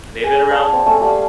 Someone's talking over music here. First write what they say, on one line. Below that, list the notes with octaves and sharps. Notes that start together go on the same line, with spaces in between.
And they've been around
G#4 G#5
C#5 D5 F5 A5
C4
A3 C#4
G3 F5 B5